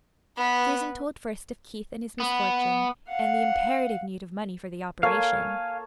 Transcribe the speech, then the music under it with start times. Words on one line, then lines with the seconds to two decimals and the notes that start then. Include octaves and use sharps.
Susan told first of Keith and his misfortune, and the imperative need of money for the operation.
0.37 B3 B4
2.20 B3
3.09 F5 F#5
5.03 A#3 A4 C#5 F5 G#5